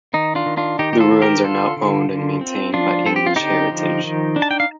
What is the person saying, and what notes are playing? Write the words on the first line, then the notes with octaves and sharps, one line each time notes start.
The ruins are now owned and maintained by English Heritage.
D#3 D#4
D4 F4
D#3
D4 F4
D#3 D#4 G4
G4
F4 A4
D#3
G4 A#4
D3 F4 A4
D3
D3
C4
F3 D4 F4
C4 A4
G4
F4
D3 D#4 G4
F3
D#3
D4
A5
G5
F5